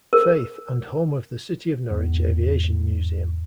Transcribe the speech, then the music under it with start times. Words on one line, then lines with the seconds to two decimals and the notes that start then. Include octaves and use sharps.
Faith and home of the City of Norwich Aviation Museum.
0.13 A#4
1.91 E2 G#2